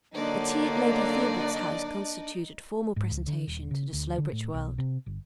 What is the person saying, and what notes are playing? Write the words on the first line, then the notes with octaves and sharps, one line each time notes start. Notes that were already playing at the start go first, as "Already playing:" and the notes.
A tea at Lady Theobald's house constituted formal presentation to the Slowbridge world.
D3 F#3 A#3 D4 D#4 D5 D#5
G#2
C#2
D3
D#1
C#3
D2
D3
A2
B1
C3
G1